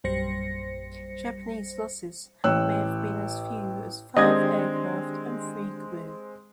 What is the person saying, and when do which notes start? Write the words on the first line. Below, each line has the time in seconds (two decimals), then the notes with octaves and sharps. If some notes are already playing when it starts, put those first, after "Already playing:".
Japanese losses may have been as few as five aircraft and three crew.
0.04 A#1 F#2 G3 C5 A#6 C#7
2.44 A1 C#5 G5 E6 F#6
4.17 D#3 G#3 C4 D4 G4 D#5 G#6